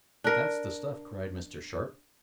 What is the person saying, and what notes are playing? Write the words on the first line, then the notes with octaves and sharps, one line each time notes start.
"That's the stuff!" cried Mr. Sharp.
D4 A#4